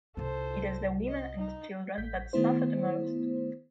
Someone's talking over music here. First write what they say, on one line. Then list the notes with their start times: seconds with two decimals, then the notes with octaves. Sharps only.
It is the women and children that suffer the most.
0.17 C2 F4 A4 C5
1.08 D#5
1.38 D#4
1.97 A1 G6 B6
2.33 D#3 A3 B3 E4 C5